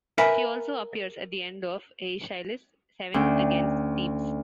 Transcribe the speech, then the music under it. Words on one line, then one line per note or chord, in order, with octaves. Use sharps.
She also appears at the end of Aeschylus' "Seven Against Thebes".
A#4 B4 E5 G#5 A#5 B5
D2 C#4 G5